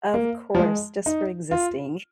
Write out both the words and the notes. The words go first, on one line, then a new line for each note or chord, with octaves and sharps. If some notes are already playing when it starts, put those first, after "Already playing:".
Of course, just for existing.
A#3
F3
G#3
D#4
F4